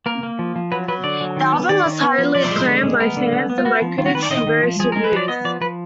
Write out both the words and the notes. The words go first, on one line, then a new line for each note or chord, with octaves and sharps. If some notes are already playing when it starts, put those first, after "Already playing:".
The album was highly acclaimed by fans and by critics in various reviews.
A#3 A#4
A#3
F3
F3
F#3 B4
F#3 B4
D3 D5
F#3
D#3
B3
D#3 D5
D#3
B3
F3
F3 D5
G#3
D3
G#3
B3 A#4
D3
B3
B3
F4
B3 F#4
F3
D#3 F4
F#4
D#3 B4
D5
D#3 D#5
D#3
F3
F3 G#4
G#3 A#4
B4
F3 D5
B3 D#5
F3 D5
F3 B4